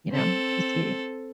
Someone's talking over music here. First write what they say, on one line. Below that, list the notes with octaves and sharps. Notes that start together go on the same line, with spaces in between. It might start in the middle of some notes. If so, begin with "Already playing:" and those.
you know, if you see it.
C4 A4